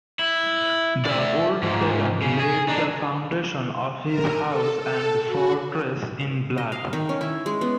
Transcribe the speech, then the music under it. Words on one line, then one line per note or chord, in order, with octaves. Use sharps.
The old pagan laid the foundation of his house and fortress in blood.
E4
D5 E5
G#2 F3
C#3
G#4
D4 D#4
A#4
A4
A4
F#4
D#5
F5
D#3
C#4
E4
G#3
B3